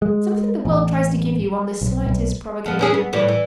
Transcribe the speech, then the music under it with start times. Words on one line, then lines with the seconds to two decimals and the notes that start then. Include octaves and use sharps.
Something the world tries to give you on the slightest provocation.
0.02 G#3
0.65 A1
1.81 B1
2.06 B1
2.66 F2 B3
2.79 E3 C#4 G#4
2.94 B3
3.13 A2 E3 G3
3.28 E3